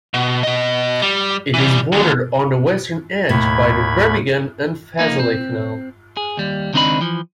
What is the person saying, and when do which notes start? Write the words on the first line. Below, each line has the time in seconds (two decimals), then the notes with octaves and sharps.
It is bordered on the western edge by the Birmingham and Fazeley Canal.
0.14 B2
0.43 B2 D#5
1.02 G3
1.54 E3 G3
1.92 D#2 D3
3.29 D#2 A2 B5 G#6
4.99 F3 A#3 D#4
5.19 C4
6.17 G#4
6.37 D#2 G3
6.73 C#2 D#3 C4 D4 D#5 B5
7.01 E3 F3